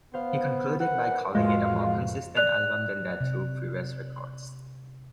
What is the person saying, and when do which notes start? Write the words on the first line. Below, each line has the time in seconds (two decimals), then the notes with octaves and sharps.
He concluded by calling it "a more consistent album than their two previous records".
0.14 B3 C5 F5
0.80 A#4 B4 F#5 B5
1.35 F2 A2 G#3 F4 F#4 F5
2.36 D5 F#6 F7
3.21 C3